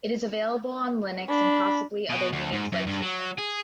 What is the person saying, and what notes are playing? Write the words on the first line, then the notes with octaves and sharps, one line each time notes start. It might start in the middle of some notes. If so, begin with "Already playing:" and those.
It is available on Linux, and possibly other Unix-like systems.
D4 B5
B2
D2
G#2
F#2
G2
F#3
G#4